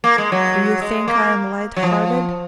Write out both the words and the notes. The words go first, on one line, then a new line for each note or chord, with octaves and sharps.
Do you think I'm light-hearted?
A#3
G#3
F#3
G#3
A#3
F#3
F3